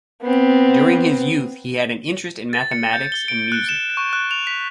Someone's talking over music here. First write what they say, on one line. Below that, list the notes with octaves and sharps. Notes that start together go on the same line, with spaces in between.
During his youth, he had an interest in mathematics and music.
B3 C4
A6
C#7
G6
G7
D7
F#6
E7
C#6
F#6
F7
B6